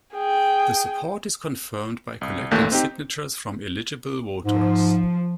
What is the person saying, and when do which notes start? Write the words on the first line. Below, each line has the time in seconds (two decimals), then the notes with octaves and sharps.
The support is confirmed by collecting signatures from eligible voters.
0.15 G#4 G5
2.21 C2
2.51 A1 D#2 A#2 A3 F#6 G6
2.72 C4 D#4 G4
4.45 G#2 F3